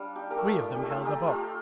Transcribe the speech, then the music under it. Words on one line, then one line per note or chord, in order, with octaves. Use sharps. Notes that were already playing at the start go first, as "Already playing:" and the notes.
Three of them held a box.
Already playing: G3 D4 F5
D#4 G4
G4 A#4
A3
G4
D#4 F4
G4
A3
F4 A4
D#4 G4
A3 F4